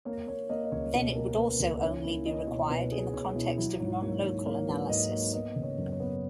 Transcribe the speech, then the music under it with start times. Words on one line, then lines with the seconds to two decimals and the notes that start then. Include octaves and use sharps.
Then it would also usually only be required in the context of nonlocal analysis.
0.05 A#3 C#5
0.27 A#3 C#5
0.49 A#3 D#5
0.64 D#5
0.72 C#2 C#5
0.93 B2 C#5
1.15 C#4 A#4
1.37 A#3 B4
1.60 C#2 A#4
1.81 C#4 D#4
2.03 A#3 E4
2.26 C#4 D#5
2.47 B2 C#5
2.70 B2 B4
2.92 B2 G#4
3.14 B2 C#5
3.36 B2 E4
3.58 F#3 E4
3.80 G#2 C#5
4.01 A#3 C#5
4.23 G#2 C#5
4.46 A#3 C#5
4.68 F#3 B4
4.89 G#2 D#5
5.12 A#3 C#5
5.33 B3 D#5
5.56 C#3
5.63 C#5
5.78 F#2
5.92 C#5
6.00 B3